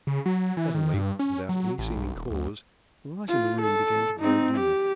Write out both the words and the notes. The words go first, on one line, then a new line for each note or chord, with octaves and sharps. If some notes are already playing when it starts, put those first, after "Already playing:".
Suddenly, without any seeming cause, the light in the room began to grow dim.
C#3
F#3
E3
D#3
G2
C#4
F#3
A1
B1
D#1
D2
F4
A4
C4 D#4
G4